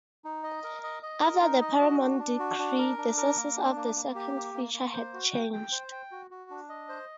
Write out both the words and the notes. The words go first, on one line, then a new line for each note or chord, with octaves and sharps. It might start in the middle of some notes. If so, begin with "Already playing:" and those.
After the Paramount Decree the sources of the second feature had changed.
D#4
D#5
A#4
D#5
D#5
A#4
D#4
D#5
F#4
D4
D4
F#4
D4
A#4
D4
A#4
A#3
D4
A#3
A#3
G4
A#3
A#3
A#3
C5
F#4
G5
G5
C5
G5
F#4
F#4
D4
D#5
C5